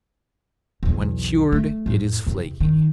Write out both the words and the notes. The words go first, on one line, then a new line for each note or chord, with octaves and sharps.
When cured it is flaky.
B1 E2
A3
F2 A2
E2 C3
D#3